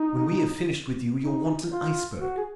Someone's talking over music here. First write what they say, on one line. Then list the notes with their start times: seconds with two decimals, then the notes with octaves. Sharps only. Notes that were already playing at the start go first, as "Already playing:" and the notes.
When we have finished with you, you'll want an iceberg.
Already playing: D#4
1.22 D#4
1.70 F4
2.19 F#4
2.37 G#4